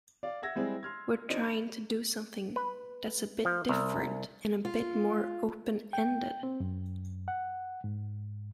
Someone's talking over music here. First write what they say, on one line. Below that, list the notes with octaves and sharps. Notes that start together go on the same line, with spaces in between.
We're trying to do something that's a bit different, and a bit more open-ended.
D5 F5
E5 F#5 E6 G#6 A#6
G3 G#3 C4 E4 G#4
C6 F6 G#6
D4 D#4 C5 D#5
B5
B4
F3
C2
F4
G5
C4
F#2
F#5
G#2